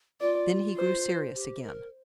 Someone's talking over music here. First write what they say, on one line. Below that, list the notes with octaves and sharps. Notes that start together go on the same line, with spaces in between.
Then he grew serious again.
F4 D5
C5
G4
A#4